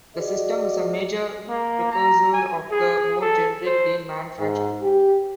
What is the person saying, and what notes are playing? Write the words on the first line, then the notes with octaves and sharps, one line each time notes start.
The system is a major precursor of the more generic "lean manufacturing".
F#4 G#4 D5 D#5
A#3
A#5
G#5
G#4
A4
C5
G#2
G4